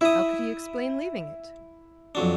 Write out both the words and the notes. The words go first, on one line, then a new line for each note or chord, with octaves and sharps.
How could he explain leaving it?
E4 E5 D#6
F2 F#3 D4